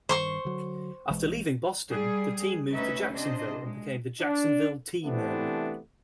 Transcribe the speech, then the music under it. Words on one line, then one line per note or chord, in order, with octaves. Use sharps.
After leaving Boston, the team moved to Jacksonville and became the Jacksonville Tea Men.
G2 D#3 C5 C6 C#6
D3 F#3
B1 E3 G#3
G3 G#4
D2 C#4 D#4 B4 E5
C3 D4 C5 D#5
G#3
D4
C3 E3 A3 B3 C4 D4